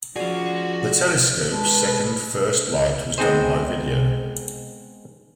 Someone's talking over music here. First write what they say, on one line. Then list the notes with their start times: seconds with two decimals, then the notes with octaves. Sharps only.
The telescopes second first light was done by video.
0.16 F3 F4 F#4 G#4 D5
1.52 G#3 B4 A5
3.18 G#3 B3 C4 D#4 G#4 C5